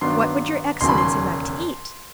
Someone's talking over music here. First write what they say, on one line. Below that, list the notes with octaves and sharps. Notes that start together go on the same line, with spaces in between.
"What would your excellency like to eat?"
G2 D#3 F#3 B3 D4 C6
E1 D#2 C#3 F#3 C6
B5
C6